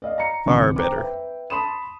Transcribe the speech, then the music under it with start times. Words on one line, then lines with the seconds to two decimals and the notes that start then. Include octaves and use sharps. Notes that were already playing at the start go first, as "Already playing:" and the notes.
Far better.
0.02 D5 D#5 F5
0.18 A#5 C#7
0.46 D#1 G#1 C#2 D6
0.76 C5 G5 A#5 D6
0.95 B4 E5 G5
1.50 A5 B5 C6 D#6 E7